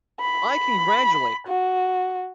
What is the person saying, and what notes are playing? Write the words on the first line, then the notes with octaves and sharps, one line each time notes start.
I congratulate her.
B5
F#4